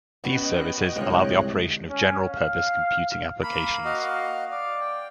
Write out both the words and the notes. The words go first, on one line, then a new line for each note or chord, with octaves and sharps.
These services allow the operation of general purpose computing applications.
B3 C#4 F#4 D#5 G5 F#6
C2 G#2 D3 F3 C#5
C#4
F5
A#3 B5
F#4 D#5 F5
D5 F5
G5